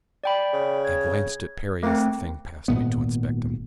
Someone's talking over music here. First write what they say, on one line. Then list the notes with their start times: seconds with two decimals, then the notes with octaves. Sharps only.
I glanced at Perry as the thing passed me to inspect him.
0.24 D5 G5 B5
0.53 C#3
0.85 G#6
1.83 A3 A#3 C4
2.68 G#1 A#2 B3